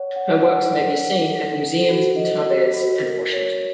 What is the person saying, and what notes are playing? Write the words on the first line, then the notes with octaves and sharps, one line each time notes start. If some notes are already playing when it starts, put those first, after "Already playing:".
Her works may be seen at museums in Tarbes and Washington.
Already playing: C#5 F#5
F#5
F#5
A#4
F#5
A4
A4
F#4
D#5
F#4
F#4
A#4
C#5